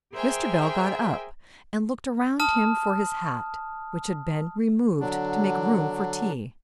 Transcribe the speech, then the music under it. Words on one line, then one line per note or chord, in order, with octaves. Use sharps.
Mr. Bell got up and looked around him for his hat, which had been removed to make room for tea.
G#4 A#4 C5 E5 G5 G#5
A5 D#6 F6
D3 F#3 D4